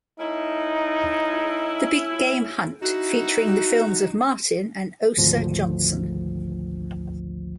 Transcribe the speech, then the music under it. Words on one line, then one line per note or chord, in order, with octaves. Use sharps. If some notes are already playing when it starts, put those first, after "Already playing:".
"The Big Game Hunt" featuring the films of Martin and Osa Johnson.
A3 C#4 D#4 E4
D#4 E4 F#4
G#1 D2 F3